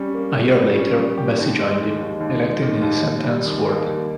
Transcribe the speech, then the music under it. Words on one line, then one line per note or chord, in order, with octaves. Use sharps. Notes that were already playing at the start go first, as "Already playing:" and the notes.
A year later Bessie joined him, elected in the Saint Anne's ward.
Already playing: G3 C#4
A#3
G4
G3
C#4
A#3
G4
D#2
G#3
D#3
D#2
D#2
G#3
D#3
D#2
D#2
G3
D#3
A#3
D#2